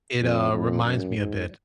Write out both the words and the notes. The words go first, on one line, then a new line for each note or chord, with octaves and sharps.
It, uh, reminds me a bit
F2
F2
F#2
G#2